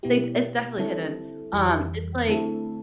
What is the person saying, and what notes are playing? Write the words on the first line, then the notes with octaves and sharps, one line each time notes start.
they It's definitely hidden. Um, it's like
B2 B3 E4 G4
D3 G3 C4 E4 A4
F2 E3 G3
D3 A3 C4 E4 A4